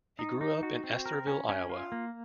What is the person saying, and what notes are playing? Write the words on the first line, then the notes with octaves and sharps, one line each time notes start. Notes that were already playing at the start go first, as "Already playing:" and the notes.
He grew up in Estherville, Iowa.
D#4
D#4
F#4
C4
A#4
C#4
C#4
F4
A#3